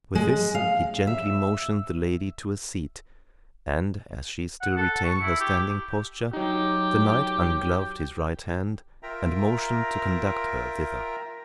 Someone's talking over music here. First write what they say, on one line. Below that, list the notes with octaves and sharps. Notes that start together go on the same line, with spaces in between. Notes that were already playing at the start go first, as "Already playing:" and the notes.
With this, he gently motioned the lady to a seat; and, as she still retained her standing posture, the knight ungloved his right hand, and motioned to conduct her thither.
G#3
F5
E5
F#5
A4
C#6
E4
G4
F#3 D#4 G4
F4 A#4 E5 G5 A#5